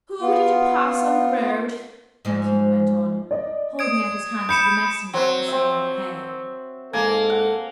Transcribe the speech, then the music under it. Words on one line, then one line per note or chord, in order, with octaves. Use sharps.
'Who did you pass on the road?' the King went on, holding out his hand to the Messenger for some more hay.
B3 F4
G#2 F3
D5 D#5
D#6 G#6 D7
B5 G6 C#7 E7
F#3 C4 C5 F#5
C4 E5
G#2 A#3 A4 G#5
F#5